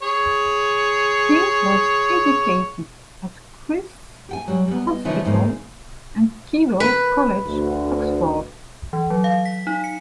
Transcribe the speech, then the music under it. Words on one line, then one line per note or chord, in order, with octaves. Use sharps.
He was educated at Christ's Hospital and Keble College, Oxford.
G#4 C#5
G4 G5 G#5
F#3 G3
G3 B3
D#5
C#3 E3 F3 D#4 E5
E2 G#2 C#3 A#3 D#4 G#4
B4
D2
E3
F#3
F5
B6
D#4
C#7